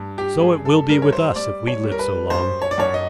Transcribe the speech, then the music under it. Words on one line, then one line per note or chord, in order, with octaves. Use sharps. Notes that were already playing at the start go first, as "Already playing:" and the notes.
So it will be with us, if we live so long.
Already playing: G2
G4
G2 G#4
A4
G3 A#4
C#5
C5
G3 D5
C#5
G3
A#4
B4
F#2 C5
C#5
D5
F#2 C#5
D#5